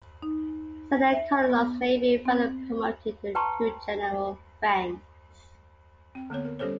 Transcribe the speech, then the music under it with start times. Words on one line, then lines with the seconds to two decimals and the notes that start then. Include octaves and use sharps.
Senior Colonels may be further promoted to general ranks.
0.22 D#4
1.13 E5
1.50 B3
2.25 C4
3.35 B4 G5 A5 A#5 C6 C#6
6.15 C4 G5
6.30 D3 A#3 B3 C#5
6.45 A#4
6.59 G3 C#4 G4 A4 C5 C#5